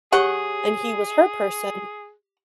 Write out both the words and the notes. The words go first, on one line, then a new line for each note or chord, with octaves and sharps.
and he was her person.
G4 G#4 C#5 F#5 C#6